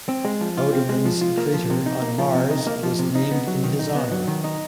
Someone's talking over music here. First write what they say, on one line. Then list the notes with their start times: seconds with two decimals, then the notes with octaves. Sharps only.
Oudemans crater on Mars was named in his honor.
0.09 C4
0.25 G#3
0.41 F3
0.57 F4
0.73 C4
0.89 G#3
1.05 F3
1.21 F4
1.38 A#3
1.54 F3
1.70 C3
1.86 D#4
2.02 A#3
2.18 F3
2.34 C3
2.51 D#4
2.67 A#3
2.83 F3
2.99 C3
3.15 D#4
3.31 B3
3.47 F#3
3.64 D#3
3.79 D#4
3.95 B3
4.12 F#3
4.28 D#3
4.44 D#4